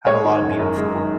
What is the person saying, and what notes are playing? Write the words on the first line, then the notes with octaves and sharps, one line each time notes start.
had a lotta beautiful
G#3 C#5
D#3
F#1
F#2
G#3
D#3